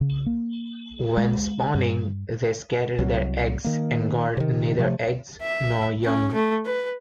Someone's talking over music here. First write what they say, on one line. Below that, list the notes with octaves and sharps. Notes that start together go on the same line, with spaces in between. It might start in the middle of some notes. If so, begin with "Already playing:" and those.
When spawning, they scatter their eggs and guard neither eggs nor young.
C#3
A#3
G#3
G2
C2 F#3
D#3 A#3
C3 D#3
C3 F3 A3
E5
C#4
A3
B4